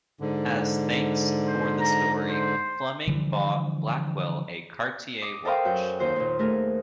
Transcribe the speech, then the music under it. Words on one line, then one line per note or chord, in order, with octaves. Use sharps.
As thanks for the story, Fleming bought Blackwell a Cartier watch.
G#2 D3
C5
A#5
C5
D3 E3 F3 G3
D#5 D6
A4 A#4 C5 D#5 F5 G5
F#2 F#4 G6
D#2 D#3 F#4 C5 G6
D#2 A#2
A3 D#4 G#4 A#4